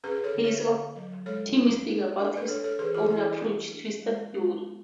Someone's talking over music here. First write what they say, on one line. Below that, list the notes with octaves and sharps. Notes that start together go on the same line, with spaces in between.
He is optimistic about his own approach, twistor theory.
C#4 G#4 B4
B4
A4 C#5
D3
A4 C#5
D3
F#3
G#3 A4 C#5
D4
G#3
D4
B4
D4 A4 C#5
A4 C#5
E3 G#4 B4
F#4 A4
E3 E4 G#4
A3
D4
G#3
G#3
B3